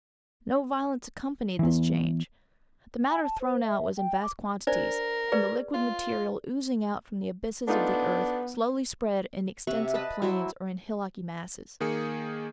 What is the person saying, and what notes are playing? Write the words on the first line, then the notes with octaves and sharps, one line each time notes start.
No violence accompanied this change; the matter thrown out was in vast quantities, and the liquid material oozing out from the abysses of the earth slowly spread in extensive plains or in hillocky masses.
E3 B3
G#5
A5
C5
E5
G5
D6
D4 A#4 C5 D5
G#4 B4 D5
F4
A3 B3 D4 D#4 F4
C3 E5 F#5 C#6
B4 D#5 A5 B5
F#3 E4 C5 E5
D#3 A#3 G#4 C#7